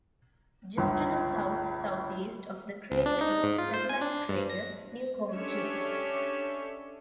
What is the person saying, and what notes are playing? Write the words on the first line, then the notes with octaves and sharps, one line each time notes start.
Just to the south-southeast of the crater is the satellite crater Newcomb J.
G1 C#2
C#2
D4
D#4
G#2
F4
C5
G#5
D4
G2
A#6
C#4 D4 G4 A4 C#5 E5